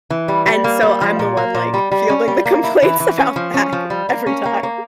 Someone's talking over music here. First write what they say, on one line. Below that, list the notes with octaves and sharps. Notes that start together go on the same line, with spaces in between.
And so I'm the one, like, fielding the complaints about that every time.
E3
G3
G3
A#3
G3
F3
A#2
A#3
A#2
G3
G3
C#4
G3
A#3
E4
E3
E3
C#4
F3
C#4
F3
G3
A#3
C#4
A#3
A#3